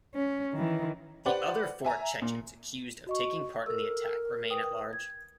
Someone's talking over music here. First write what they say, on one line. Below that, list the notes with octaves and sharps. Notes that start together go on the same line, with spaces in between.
The other four Chechens accused of taking part in the attack remain at large.
C#4
D#3 E3
G4 B4 C5 D5 F#5
E5 G#5 A#5
A#2
F#4 D#5 C#6
A4 A#4 E6
B4 G5 D#6
G#6